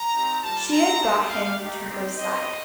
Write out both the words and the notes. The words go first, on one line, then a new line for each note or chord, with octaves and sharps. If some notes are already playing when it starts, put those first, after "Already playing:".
She had brought him to her side.
Already playing: A#5
C4 D#4 G4
G3 A#3 F4 A5
C4 D#4 G4 A#5
G3 A#3 D#4 G4 A5
G3 D4 G4 F5
A3 D#4 G4
C4 D#4 G4
C4 G4 D#5